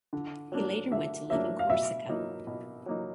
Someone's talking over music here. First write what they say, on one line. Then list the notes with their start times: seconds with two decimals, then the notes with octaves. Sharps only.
He later went to live in Corsica.
0.13 D3
0.52 F#3 A#3 D4
0.91 D3 E5
1.30 F#3 A#3 D4 E5
1.59 F5
1.69 B2 E5
2.09 F#3 A#3 D#4
2.47 B2
2.86 F#3 A#3 D#4